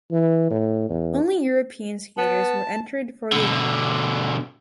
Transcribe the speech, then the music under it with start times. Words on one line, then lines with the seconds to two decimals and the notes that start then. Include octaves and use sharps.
Only European skaters were entered for the event.
0.11 E3
0.51 A2
0.89 E2
2.18 B3 A5
3.32 B2 D3